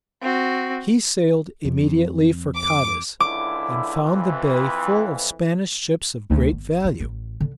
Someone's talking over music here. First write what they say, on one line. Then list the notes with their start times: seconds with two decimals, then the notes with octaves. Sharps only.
He sailed immediately for Cadiz, and found the bay full of Spanish ships of great value.
0.22 C4 F#4
1.65 F2
2.57 D6
3.20 C#2 D3 E4 D6
4.02 F2 E3
6.30 D2
6.52 G1
6.85 F4
7.00 A1
7.40 D3